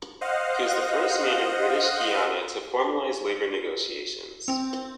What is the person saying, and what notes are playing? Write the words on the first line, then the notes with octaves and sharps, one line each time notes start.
He was the first man in British Guiana to formalize labour negotiations.
C5 D#5 F5 F#5
C4